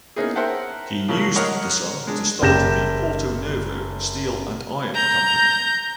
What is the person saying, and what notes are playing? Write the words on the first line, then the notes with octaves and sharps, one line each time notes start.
He used the sum to start the "Porto Novo Steel and Iron Company".
A#3 B3 C#4 D#4 E4 G#4
A#4 C5 E5 F#5 G5 A5
A2 C#3 F3 F#3 A#3
A#4 C#5 D#5 F#5 A#5 F6
G#3 D4
F#1 G4 G6 A#6 E7
A#5 G6